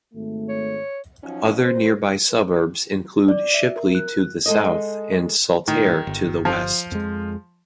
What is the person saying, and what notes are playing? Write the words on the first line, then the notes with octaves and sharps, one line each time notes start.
Other nearby suburbs include Shipley to the south and Saltaire to the west.
G#1 A3
C#5
F3 F#3 C#4 D#4
C5
D5
E5
A#4
F#6
G#3 A4 D#5
A2 D#3
G1
F3
F2 G#3